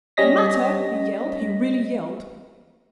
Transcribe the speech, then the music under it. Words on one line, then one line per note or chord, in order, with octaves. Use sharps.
"Matter!" he yelled; he really yelled.
G3 C#4 C#5 D#5 A#6 B6